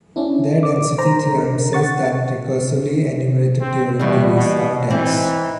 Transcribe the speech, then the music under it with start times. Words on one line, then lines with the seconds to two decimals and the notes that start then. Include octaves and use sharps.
Their density theorem says that recursively enumerated Turing degrees are dense.
0.16 C#4 D4 E4
0.63 D6
0.98 C5 A#5
1.35 D3 A#4
1.73 F#5 C#6 A6
3.61 C4
3.99 E2 B2 G3
4.34 B2
4.90 E3 C4 D#4